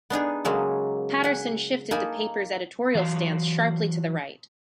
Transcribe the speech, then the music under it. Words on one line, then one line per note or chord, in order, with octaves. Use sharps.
Patterson shifted the papers' editorial stance sharply to the right.
B3 D4 D#4 G#4
C#3 F#3 G#3 A#3
F#5 G#5
A#3 D#4 G#5 A5 B5
E3 F#3 F5